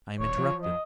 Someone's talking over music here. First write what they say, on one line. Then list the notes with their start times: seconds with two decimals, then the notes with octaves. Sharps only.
I am interrupted.
0.20 D#1 C#5
0.38 F3
0.63 D#5